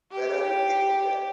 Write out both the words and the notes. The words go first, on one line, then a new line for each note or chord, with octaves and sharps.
Where are you taking them?
G4